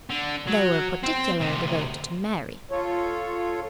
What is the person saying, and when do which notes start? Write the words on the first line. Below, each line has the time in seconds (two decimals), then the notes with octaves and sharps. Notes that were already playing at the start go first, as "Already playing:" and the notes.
They were particularly devoted to Mary.
0.10 D3
0.48 F#3
1.04 C4
1.41 D2 C3
2.71 F4 A4 C#5